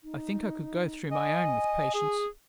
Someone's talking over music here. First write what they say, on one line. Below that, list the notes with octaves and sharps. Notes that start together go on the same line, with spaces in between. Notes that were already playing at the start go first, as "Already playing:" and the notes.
I think I could go through my own with patience.
D#4
D#5 G#5
G#4